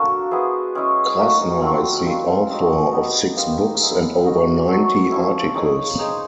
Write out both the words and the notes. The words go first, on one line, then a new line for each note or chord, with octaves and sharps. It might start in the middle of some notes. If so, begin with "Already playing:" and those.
Krasner is the author of six books and over ninety articles.
Already playing: A#3 D4 F#4 A4
B3 E4 G#4 C5
G#3 C#4 E4 G#4
A#3 D#4 F#4
F#3 A3 C4 F4
A#3 D4 G4
C4 D#4 F#4
B3 D#4 G4
A#3 D#4 G4 C5
G#3 B3 E4 G#4
D#4 F#4 A#4
F#3 A3 C#4
F3 A#3 C#4 E4
D#4 G#4 C#5
D#4 G#4 C5